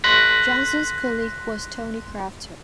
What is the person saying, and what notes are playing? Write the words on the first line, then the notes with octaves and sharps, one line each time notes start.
Johnson's colleague was Tony Crafter.
C6 F#6 A#6 B6